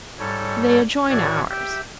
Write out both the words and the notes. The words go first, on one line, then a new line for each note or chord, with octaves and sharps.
They adjoin ours.
G#2 G3 A4 C#5
A2 E3 F#4 C#5 D5 G#6
G4 E5 G5